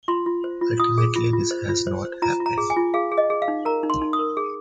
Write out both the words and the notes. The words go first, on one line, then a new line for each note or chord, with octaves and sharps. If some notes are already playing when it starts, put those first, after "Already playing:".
Ultimately, this has not happened.
F4 C6
F4
C5
F4
F4 D#6
G#4
F4
F4
C5
F4
C5
C5
F4 A#5
F4
A#5
G#4
G#5
F4
G#4 F5
G#4
D#5
G#4
F5
D#4
A#4 A#5
D#4
C6
D#4
D#6
A#4
G#4